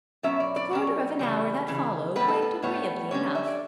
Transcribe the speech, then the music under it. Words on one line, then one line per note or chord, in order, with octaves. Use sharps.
The quarter of an hour that followed went agreeably enough.
B2 F#3 C#4 E5
D5
D5
B2 F#3 C#4
C#3 E3 G3
C#3 E3
A2 G3 B3 B4
A4
B4
A2 G3 B3 C#5
D3 G3 C#4 C#5
E5
D5